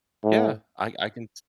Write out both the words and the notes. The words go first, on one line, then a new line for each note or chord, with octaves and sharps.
Yeah, I I can
A2